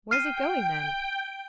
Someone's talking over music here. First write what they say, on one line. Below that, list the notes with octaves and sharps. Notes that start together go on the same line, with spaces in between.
"Where is it going then?"
G5 F6 C7 D#7